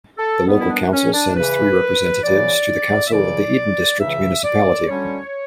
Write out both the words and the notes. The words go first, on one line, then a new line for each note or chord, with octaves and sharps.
The local council sends three representatives to the council of the Eden District Municipality.
A4
B2 G3 B3
E4
D4
C#4
D4
E2 C#3 E3 B4
E2 C#3 E3 D5
E5
C#2 C#3 E3 D5
C#2 C#3 E3 E5
D5
D2 D3 G3 C#4 C#5